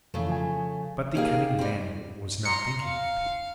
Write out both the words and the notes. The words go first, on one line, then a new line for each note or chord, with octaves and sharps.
But the cunning Vandal was not thinking of peace.
F2 C#3 E3 A3
F3 G#5
A#3 D#4 G4 G#4 F5 G5
G3 C4
A#5 C6 C#7
F5